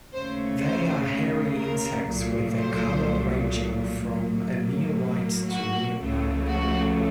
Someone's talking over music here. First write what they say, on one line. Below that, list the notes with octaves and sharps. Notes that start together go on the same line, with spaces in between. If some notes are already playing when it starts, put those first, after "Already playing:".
They are hairy insects with their colour ranging from a near-white to near-black.
D#2 C#3 A3 C5
C5
A#4
C2 A#2 F#3 A3
C5
A2 F#3 A#3
F#4
C#2 C#3 F3 A3
F#4